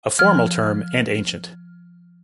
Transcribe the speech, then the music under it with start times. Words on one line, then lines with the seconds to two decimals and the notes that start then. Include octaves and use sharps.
A formal term, and ancient.
0.19 F3 F6